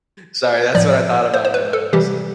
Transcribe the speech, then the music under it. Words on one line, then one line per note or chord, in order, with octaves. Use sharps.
Sorry, that's what I thought about right now when you said
A2 F3 D5
C5
C5
B4
A4
C3 E3 G3 G4